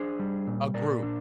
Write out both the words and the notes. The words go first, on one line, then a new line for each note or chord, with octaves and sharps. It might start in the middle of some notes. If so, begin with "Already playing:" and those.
A group,
Already playing: D4 G#4 C5
G3
A#2
A#2 A#4 D5
D4